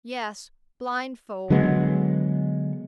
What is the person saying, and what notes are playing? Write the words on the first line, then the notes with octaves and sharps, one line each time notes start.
Yes; blindfold.
D3 F#3 G#3 B3